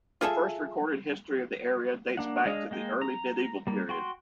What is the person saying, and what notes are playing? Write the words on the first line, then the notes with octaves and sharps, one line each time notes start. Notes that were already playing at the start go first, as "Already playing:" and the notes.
The first recorded history of the area dates back to the early medieval period.
F4 G#4 A4 E5
A#3 D4 F#5
G#3 D4 D#5 F5
G#3 A#3 G5
A#5
G3 A#3
F#4 G5 C6